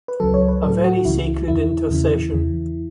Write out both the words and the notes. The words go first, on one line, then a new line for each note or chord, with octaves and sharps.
A very sacred intercession.
B4
C#2 C#3 F#3 A4
C#5
B4
A2 F#3 A4
F#4
C#2 C#3 E3 E4
E2 E3 E4
E2 C#3 E3
E2 E3